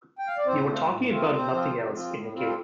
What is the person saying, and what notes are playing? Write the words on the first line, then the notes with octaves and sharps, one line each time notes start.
You were talking about nothing else in the gig.
G5
F5
D5
A2 C4 C5
A3 C4 F4
A2
A3 C4 F4
C3 C4 C5
F3 C4 F4
C3
F3 C4 F4
A2
G3 C4 F4
A4